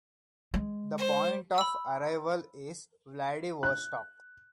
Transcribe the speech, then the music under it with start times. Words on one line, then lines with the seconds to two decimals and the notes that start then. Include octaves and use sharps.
The point of arrival is Vladivostok.
0.54 G#3
0.98 C5
1.58 B5 E6
3.63 F#6